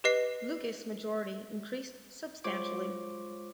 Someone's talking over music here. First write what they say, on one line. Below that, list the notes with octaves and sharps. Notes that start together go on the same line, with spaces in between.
Lucas’ majority increased substantially.
G4 B4 D#5 C7
G#3 F4 C5 C#5 D6